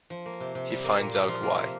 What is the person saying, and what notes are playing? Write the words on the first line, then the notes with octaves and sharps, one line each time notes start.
He finds out why.
F3
A#3
C3
C3
G3
A#3
A#2
A#2
F3 F4
A#3
C3